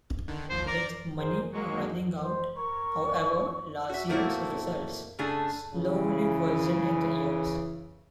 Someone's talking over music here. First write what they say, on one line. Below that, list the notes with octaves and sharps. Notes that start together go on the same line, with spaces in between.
With money running out, however, Lazio's results slowly worsened in the years.
D3 D#3
G#1 D#2 F3 C5
A#4 D5 A#5
G#4 A#4 C5
F#3 G#3 A#3 C#6
C5
A#4 C#6
D5
F#4 E5
A#2 A3 A#3 C4 E4 F#4
C#3 A3 D4 G#4 A4
C#3 E3